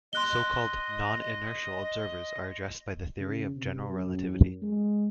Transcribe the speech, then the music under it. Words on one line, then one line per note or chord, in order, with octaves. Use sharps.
So-called non-inertial observers are addressed by the theory of general relativity.
D#5 C6 F#6 G7
C#3
C3
F#2
G#3